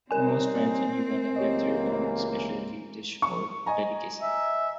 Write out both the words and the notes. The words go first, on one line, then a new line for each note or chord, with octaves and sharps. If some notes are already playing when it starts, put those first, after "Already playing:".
Most tribes in Uganda have their own speciality dish or delicacy.
G3 C4 C#4 D#4 A#4 G#5
C#2 E3 A#3 G4 C#5 D#5
C#6
D#5 G#5 A#5
E5